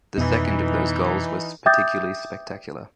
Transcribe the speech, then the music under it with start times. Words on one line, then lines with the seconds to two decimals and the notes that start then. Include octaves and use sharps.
The second of those goals was particularly spectacular.
0.18 F2 B2 E3 B3 D#4
1.66 E5 G5 D6 D#6 G6 A6